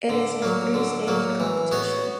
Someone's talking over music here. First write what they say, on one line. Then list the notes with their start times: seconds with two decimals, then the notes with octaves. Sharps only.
It is a three-stage competition.
0.10 D3
0.42 F#3 A#3
0.74 D3
1.08 F#3 A#3
1.40 E3
1.71 B3 F#4 C#5